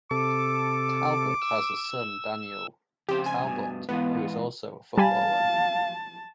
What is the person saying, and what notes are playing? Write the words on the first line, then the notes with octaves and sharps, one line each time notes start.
Talbot has a son, Daniel Talbot, who is also a footballer.
C3 A4 D6
E6
F2 C#3 G4 C5
G#5
G2 B2
G#2 E3 B3 F4
G3 F5 G#5 A5 B5